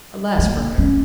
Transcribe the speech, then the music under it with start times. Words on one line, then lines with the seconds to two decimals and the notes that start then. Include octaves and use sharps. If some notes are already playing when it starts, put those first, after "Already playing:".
Alas for her!
0.39 A#3
0.78 C#4